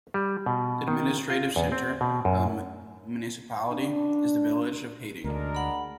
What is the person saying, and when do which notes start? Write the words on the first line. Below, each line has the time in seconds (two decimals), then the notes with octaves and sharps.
The administrative centre of the municipality is the village of Hatteng.
0.14 G3
0.46 B2
0.88 D#3
1.30 F4
1.56 E2
1.72 C4
2.01 B2
2.25 F#2
3.70 D4
5.24 D2 G#3 D4 A#4
5.55 F#5 B5